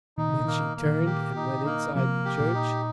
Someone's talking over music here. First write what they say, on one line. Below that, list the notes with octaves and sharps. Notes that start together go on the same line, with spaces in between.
Then she turned and went inside the church.
A#2 D#3 D#4
C3
A#2 D#3
A#3
A#3
A#2 D#3
G4
D#4
A#3
C3 F3 A#3
G4
A#2
D#4